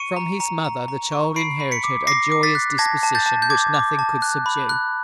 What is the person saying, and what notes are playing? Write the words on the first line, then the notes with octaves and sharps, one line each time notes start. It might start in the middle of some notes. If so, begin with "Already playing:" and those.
From his mother the child inherited a joyous disposition which nothing could subdue.
Already playing: C#6 C#7 D#7
A#5
A#5
A#5
A#5
C#6
B5 C7 D7
B5
B6 C#7
D6
D6 A#6 C7
D6
A6 B6
F#6
A5 G#6 A#6
A5
G6 A6
A5
G6
D6 G#6
D6
A5
F#6
B5
F#6